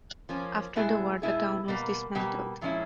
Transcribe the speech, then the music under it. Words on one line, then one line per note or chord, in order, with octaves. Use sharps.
After the war, the town was dismantled.
F3 A#3 C#4
B2 G#3 B3 E4 G#4
B2 G#3 B3 E4 G#4
B2 G3 A#3
B2 G3 A#3
A#2 F3 G#3 C#4 E4